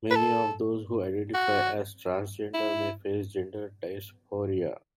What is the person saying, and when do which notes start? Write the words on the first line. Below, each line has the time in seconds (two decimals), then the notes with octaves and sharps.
Many of those who identify as transgender may face gender dysphoria.
0.11 B4
0.15 A4
1.34 F#4
2.54 E4